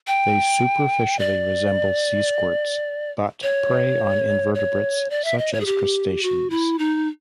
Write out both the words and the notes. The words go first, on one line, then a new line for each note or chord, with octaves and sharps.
They superficially resemble sea squirts but prey on invertebrates such as crustaceans.
G5
D5
C#5
C#5
D5
E5
D#5
C#5
G#4
G4
F#4
E4
D#4